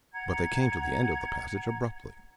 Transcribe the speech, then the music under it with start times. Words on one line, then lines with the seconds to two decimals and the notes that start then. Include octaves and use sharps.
But they came to the end of the passage abruptly.
0.13 F#5 A#5 G#6